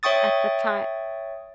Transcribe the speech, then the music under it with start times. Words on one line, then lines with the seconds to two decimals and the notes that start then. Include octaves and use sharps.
at the time
0.03 C#5 E5 G5 C#6 D#6 A6